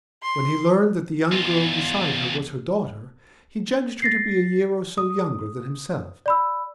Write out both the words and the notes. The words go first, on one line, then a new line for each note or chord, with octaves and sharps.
When he learned that the young girl beside her was her daughter he judged her to be a year or so younger than himself.
C6
E2 F4
A6 A#6 C7
D#6
D5 B5 E6